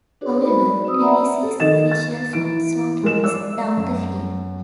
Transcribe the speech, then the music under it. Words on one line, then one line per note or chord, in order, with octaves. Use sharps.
However, Tennessee's official fight song is Down the Field.
D4 F#4 G#4 B4 C#5 D5
D#4 A#4 C5 B5
F#4 D5
C4 B4 D5 D#6 E6
E5 F#5 A#5 B5
A4
D#3 D#5 A6 E7
A6
E3 D7
G#3 A#4 E7
D5 E6
F#2